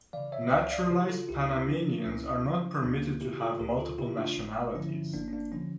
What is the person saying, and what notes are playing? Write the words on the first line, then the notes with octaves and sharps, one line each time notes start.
Naturalized Panamanians are not permitted to have multiple nationalities.
C#3 E3 D5 F5
C#5 E5
C#2 C#5 E5
D5 F5
C#3 E3 E4 G4
F4 A4
C#2 E4 G4
E4
C#3 F3 D4 F4
C#2 C#4 E4
C#3 F3
D2 A#3 D4
A#3
C#3 E3 E4 G4
F4 A4
D2 G4 A#4
F4 A4
C#3 E3 E4 G4
D4 F4
G1
G2 D3 F3 C#4 E4
G1 A#3 D4
C#4
A#3 D4
D3 F3 C#4